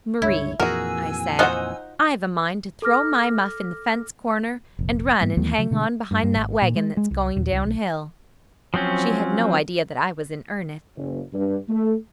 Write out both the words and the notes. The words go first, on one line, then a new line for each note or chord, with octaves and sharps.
'Marie,' I said, 'I've a mind to throw my muff in the fence-corner and run and hang on behind that wagon that's going down-hill.' She had no idea that I was in earnest.
C#2 G2 D3 E4 C#5
F2 A#2 E3 F#4 G#4 A#4 G#5 E6
D#4 F4 F#4 C5 D#5 F#5
A4 D6 F6 A#6
F1 A#1
G#2 G3 A#3 B3
D#2 E3 A3 B3
C#3 F#3
B2 D3 G#3
G2
G2
G#1
A#2
G#3
G#3
C2
D#1
C2
B1
F3 F#3 C4 C#4
F#1
G2
A3